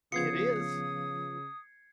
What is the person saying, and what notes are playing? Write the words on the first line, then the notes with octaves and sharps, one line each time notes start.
"It is."
C#3 F3 B3 F4 D#6 G#6 C7 C#7